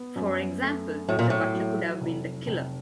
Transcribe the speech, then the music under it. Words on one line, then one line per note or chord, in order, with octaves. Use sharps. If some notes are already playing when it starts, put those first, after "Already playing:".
For example, The butler could have been the killer.
Already playing: B3
F#2
A3
A2 F#3
A#2
A2
F#3
F1
F1